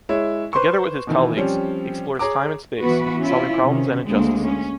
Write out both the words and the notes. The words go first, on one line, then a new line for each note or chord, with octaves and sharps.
Together with his colleagues, he explores time and space, solving problems and injustices.
G#3 E4 C#5
B4 C5 C6 C#6
B2 D#3 E3
F3 G3 C4 C#4 G4
G#4 C#5 A#5 D6
E3 B3 F#4 B4
C#4 E4 F4
C3 D#3 C#4
D2 G#3 A#3 C4
C#4